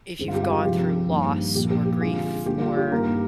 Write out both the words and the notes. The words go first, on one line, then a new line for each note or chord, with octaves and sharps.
if you've gone through loss or grief or
G2 D3 G#3 C4
F4
G4
F4
G4
C3 F3 G#3 C4 G4
G2 D#3 A#3
A#2 F3 A#3 G4
G4
G4
D3 G#3 C4 F4 G#4
D3 G3 A#3 G4
F4
G4
G2 D#3 A#3 G4 A#4